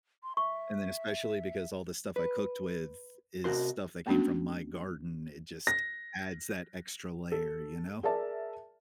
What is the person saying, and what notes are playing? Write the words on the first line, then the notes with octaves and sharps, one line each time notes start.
And then especially because all the stuff I cooked with is stuff that came from my garden, it just adds that extra layer, you know?
C6
E5 C#6
B4
C3 F#4 A#4 C6
G#3 A3 B3 C#4 D4 F#4
A#6
A4
G#4 A#4 D5 E5 A5